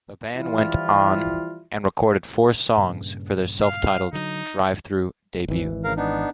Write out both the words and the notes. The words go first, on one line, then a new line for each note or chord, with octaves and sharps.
The band went on and recorded four songs for their self-titled Drive-Thru debut.
E3 F3 G3 E4 F4
G2 A#2 C#3
F5
D3 F#3 D#4
G#1 E3
C#3 A#4 F5
B3 D4 D#4